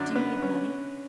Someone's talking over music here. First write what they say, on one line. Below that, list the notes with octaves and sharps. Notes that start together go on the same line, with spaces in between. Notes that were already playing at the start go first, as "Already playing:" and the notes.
"Do you need money?"
Already playing: F#2 D3 F#3 D4
B3
C#4